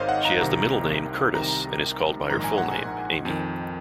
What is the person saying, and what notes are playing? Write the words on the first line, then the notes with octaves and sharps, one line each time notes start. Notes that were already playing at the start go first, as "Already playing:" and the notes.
She has the middle name Curtis, and is called by her full name, Amy.
Already playing: G#1 G#2 D#3 C5 C#5 D#5 F5
F#5
A#5
C2 C3 D#3 A#5
C2 C3 D#3 A#5
A#1 G#2 D#3 A#5
G#5
F#5
G#5
F2 D#3